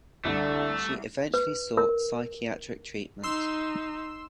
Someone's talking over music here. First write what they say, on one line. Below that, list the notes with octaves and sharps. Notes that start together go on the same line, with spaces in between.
She eventually sought psychiatric treatment.
C2 D3 A3
B4
A#4
D#4 C6 E6